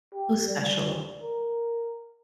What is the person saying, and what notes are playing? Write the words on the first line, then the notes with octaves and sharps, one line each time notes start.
How special.
G4
G3
A#4